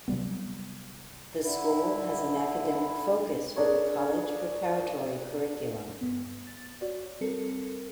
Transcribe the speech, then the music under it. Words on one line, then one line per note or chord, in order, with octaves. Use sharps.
The school has an academic focus with a college preparatory curriculum.
C3 F#3 G3 B3
D3 E4
D4 G#4 A#4 C#5
G2 B3
A6
F#4 C#5 D5
G3 C4 A4 A#4 C#7